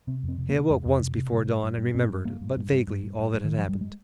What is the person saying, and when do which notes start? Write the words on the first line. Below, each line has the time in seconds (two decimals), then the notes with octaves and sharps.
He awoke once before dawn and remembered, but vaguely, all that had happened.
0.07 C3 C4
0.23 F2 C4
0.38 C3
0.49 A#3
0.54 C3
0.70 F2 G#3
0.85 F2
1.01 C3
1.16 C3
1.32 G2
1.47 G2
1.63 G2
1.78 G2
1.94 G2 C4
2.10 G2
2.25 G2 A#3
2.41 G2
2.56 G2
2.72 G2
2.87 G2
3.03 G2
3.19 G2
3.34 G2
3.44 D#3
3.49 G2
3.57 F3
3.65 G2 G3
3.81 G#3